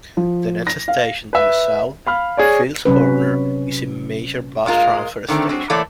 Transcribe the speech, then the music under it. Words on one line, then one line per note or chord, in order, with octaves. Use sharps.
The next station to the south, Fields Corner, is a major bus transfer station.
F3
A#6
F5
B4 E5
F5 B5 F6
G#4 C#5 D5
C3 F#3 C#4 B4
A#2 G#3 F4 A#4
D3 D#3 A3 C4
F#3 G#3 C4
E3 A3 A#3 C#5 D5 E5